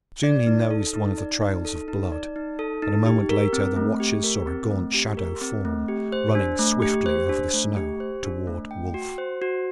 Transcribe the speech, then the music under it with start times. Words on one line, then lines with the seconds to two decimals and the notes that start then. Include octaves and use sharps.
Soon he nosed one of the trails of blood, and a moment later the watchers saw a gaunt shadow form running swiftly over the snow toward Wolf.
0.23 D5
0.47 D#4
0.71 A4
0.94 D#4
1.18 D5
1.42 D#4
1.65 A4
1.88 D#4
2.12 D5
2.36 D#4
2.59 A4
2.82 D#4
3.06 G4
3.29 A#4
3.53 C4
3.76 A3
4.00 G4
4.24 A#4
4.47 C4
4.71 A3
4.94 G4
5.17 A#4
5.41 C4
5.65 A3
5.88 G4
6.12 C5
6.35 D4
6.59 A3
6.82 G4
7.06 C5
7.29 D4
7.53 A3
7.76 G4
8.00 C5
8.24 D4
8.47 A3
8.71 G5
8.94 F#4
9.18 C5
9.42 F#4